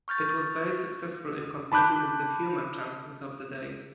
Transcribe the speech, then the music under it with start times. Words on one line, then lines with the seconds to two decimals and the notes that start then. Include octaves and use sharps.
It was very successful in competing with the human champions of the day.
0.08 C#6 F6 G6 A6
1.72 A5 B5 D6 F#6 G6